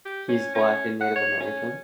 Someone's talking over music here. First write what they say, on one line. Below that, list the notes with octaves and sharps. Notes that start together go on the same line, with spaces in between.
He is black and Native American.
G4
C#4
C#4
F#5
C#5
C#4